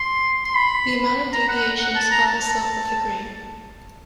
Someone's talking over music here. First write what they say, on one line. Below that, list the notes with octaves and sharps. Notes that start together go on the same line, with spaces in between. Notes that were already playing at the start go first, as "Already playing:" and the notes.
The amount of deviation is called the slope of the grain.
Already playing: C6
C6
B5
A#5
F#5
F#5
F#5
A5
A#5
A5
A5